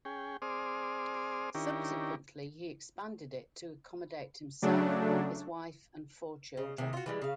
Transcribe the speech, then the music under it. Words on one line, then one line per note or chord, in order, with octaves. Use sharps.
Subsequently, he expanded it to accommodate himself, his wife and four children.
C#4 G#4 G5
C4 G#4 C5 D5 D#6 F6
D#3 C#4 D4 E4 G4 A#4
C#3 F#3 A3 D4
C#3 D#5
C3 D#3 G#4
F4 F#4
E3 G3 G#3
C#3 F5